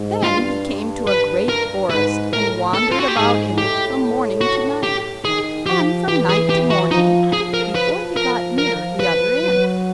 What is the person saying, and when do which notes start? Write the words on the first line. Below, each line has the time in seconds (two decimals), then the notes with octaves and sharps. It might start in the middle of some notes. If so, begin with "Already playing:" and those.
Then he came to a great forest and wandered about in it from morning to night and from night to morning before he got near the other end.
Already playing: G#2
0.24 G2 F4
1.07 B4
1.49 A#4
1.91 G#2 B4
2.33 A2 A#4
2.74 A4
2.92 F4
3.00 F#4
3.08 G4
3.16 G#2 G#4
3.58 A2 G4
4.41 F#4
4.83 G4
5.25 D#3 G#4
5.66 F3 G4
6.08 E3 G4
6.29 G#4
6.50 G4
6.70 F#4
6.91 F3 D#4
7.33 F3 G#4
7.54 A#4
7.75 B4
8.17 A#4
8.58 A#4
9.00 B4
9.42 F#3